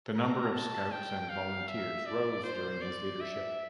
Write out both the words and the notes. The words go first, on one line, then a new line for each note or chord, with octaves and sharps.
The number of Scouts and volunteers rose during his leadership.
A#5
A5
G5
F5
E5
D5
C5
D5
E5